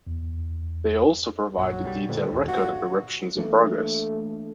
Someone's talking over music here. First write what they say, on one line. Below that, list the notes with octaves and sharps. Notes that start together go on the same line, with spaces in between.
They also provide a detailed record of eruptions in progress.
E2
A#1 F#2 F#3
B1 F3 G3
F2 A#2 D3 A3
A#1 D#2
G2 F#4
E3 A3 A#3 D4